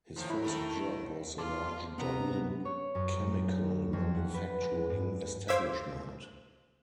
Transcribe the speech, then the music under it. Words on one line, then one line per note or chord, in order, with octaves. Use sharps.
His first job was a large Dublin chemical manufacturing establishment.
A2 D#3 F3
F#3 E4
D#3 A3 A#4
F4 A5 C6 D6
D2 C3 B3 A#5
C#5
F#2
F2
F#5
B4
G#3
G2
C5 F5 D6 E6 G#6 B6